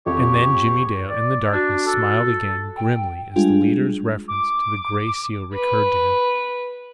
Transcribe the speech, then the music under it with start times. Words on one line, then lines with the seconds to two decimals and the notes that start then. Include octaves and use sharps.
And then Jimmie Dale, in the darkness, smiled again grimly as the leader's reference to the Gray Seal recurred to him.
0.06 F2 G4 C#5
1.08 D5
1.53 D4 F#4
1.86 A4
2.77 G5
3.36 G3 G#3 D4 F4 G#4
4.28 D6
5.54 B4